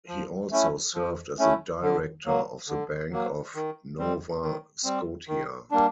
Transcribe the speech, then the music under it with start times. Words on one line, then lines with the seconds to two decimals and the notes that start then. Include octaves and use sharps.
He also served as a director of the Bank of Nova Scotia.
0.08 F3
0.51 A3 C#4 E4
0.95 F3
1.39 A3 C#4 E4
1.82 D3
2.26 F#3 A#3
2.69 D3
3.12 F#3 A#3
3.55 D#3
3.98 G3 C4
4.42 D#3
4.84 G3 C4
5.28 D#3
5.71 G3 A#3 D4